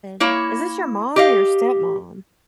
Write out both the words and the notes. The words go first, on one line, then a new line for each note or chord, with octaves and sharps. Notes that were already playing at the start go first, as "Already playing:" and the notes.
god. Is this your mom or your stepmom?
A#3 E4 C#5
G4 D#5 F5